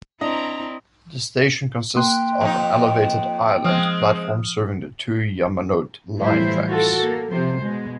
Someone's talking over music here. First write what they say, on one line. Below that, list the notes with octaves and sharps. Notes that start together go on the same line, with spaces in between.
The station consists of an elevated island platform serving the two Yamanote Line tracks.
C4 D4 E4 D#5 A#5
A#3 G5 C6 F#6
F2 D#4
F3 G#3 C4 D#6 F6
A2 E3 F3 G3 E4 C5
F4 F#4 A4
A#3
C3 F3 C5
B2 G#3